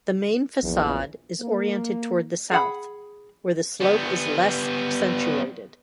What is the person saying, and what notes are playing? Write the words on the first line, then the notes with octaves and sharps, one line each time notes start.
The main facade is oriented towards the south, where the slope is less accentuated.
A#1 E2
A#3
G#4 F#5 B5
G3 B3